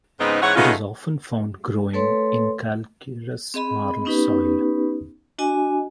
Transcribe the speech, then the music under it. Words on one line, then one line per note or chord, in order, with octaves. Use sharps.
It is often found growing in calcareous marl soil.
G#2 C#3 B3 C4 D#4
G#2 E3 C#4 C#5 F#5
C#3 G#3 A3 B3 D#4 F4
A3 A4 B4 C#5 C6
C4 G#4 D#5 B5
B3 C#4 D#4 G4 B4
D4 F#4 D#5 G#5